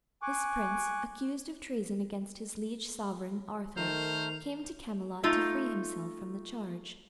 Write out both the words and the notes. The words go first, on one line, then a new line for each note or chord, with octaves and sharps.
This prince, accused of treason against his liege sovereign, Arthur, came to Camelot to free himself from the charge.
G#5 C#6 D6 F#6
D#3 A3 A#4 C5 F7
A3 D#4 F4